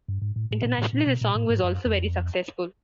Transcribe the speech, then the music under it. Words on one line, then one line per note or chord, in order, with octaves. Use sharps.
Internationally, the song was also very successful.
G2
G#2
A2
A2
A#2
A2
A#2
B2
A#2
A2
G#2
F#2
F2